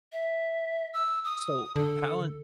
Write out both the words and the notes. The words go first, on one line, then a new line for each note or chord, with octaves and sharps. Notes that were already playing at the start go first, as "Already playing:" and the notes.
So, Palant
E5
E6
D#6
D3 A4